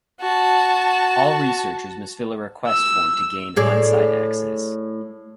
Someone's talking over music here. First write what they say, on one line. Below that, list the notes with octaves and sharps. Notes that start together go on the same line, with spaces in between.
All researchers must fill a request form to gain on-site access.
F#4 A5
E6
A2 G#4 D5